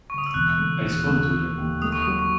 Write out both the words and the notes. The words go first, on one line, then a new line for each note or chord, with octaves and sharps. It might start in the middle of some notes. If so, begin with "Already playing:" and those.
I spoke to him.
C#6
D#6
E6
E1 F#6
A3
D#2
A3
D#2
D#2
A3 D#6
C#6
F#3 D#6
C#6